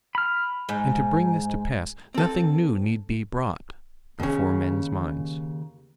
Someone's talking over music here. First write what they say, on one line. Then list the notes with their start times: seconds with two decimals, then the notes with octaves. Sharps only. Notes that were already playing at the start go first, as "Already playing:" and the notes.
And to bring this to pass, nothing new need be brought before men's minds.
0.15 B5 F6
0.69 G#2
2.14 C4 A4
4.20 D#2 C#3